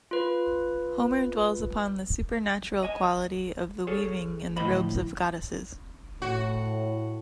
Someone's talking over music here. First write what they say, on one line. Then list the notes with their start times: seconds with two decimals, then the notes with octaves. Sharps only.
Homer dwells upon the supernatural quality of the weaving in the robes of goddesses.
0.11 F4 B4
2.83 D#5 G#5
3.87 G#4 A4 C#5
4.57 D2 A2 D#3 F3 D#5 B5
6.22 A2 F#4